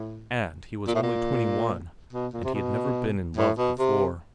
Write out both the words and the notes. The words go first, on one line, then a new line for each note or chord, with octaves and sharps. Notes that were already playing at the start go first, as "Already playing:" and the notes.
And he was only twenty-one, and he had never been in love before.
Already playing: A2
A#2
A2
A#2
B2
A#2
C3
B2
A2
B2
C3